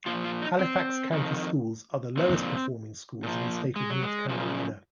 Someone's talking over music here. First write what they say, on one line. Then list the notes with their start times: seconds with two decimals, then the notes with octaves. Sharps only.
Halifax County Schools are the lowest performing schools in the state of North Carolina.
0.06 A#2 F3 F4
0.24 F4
0.42 D#4
0.59 C4
1.12 F2 D#3
2.17 A#2 F3 C4
3.23 A#2 F3
3.76 G#3
3.90 F#3
4.03 G#3
4.29 F#2 C#3 F3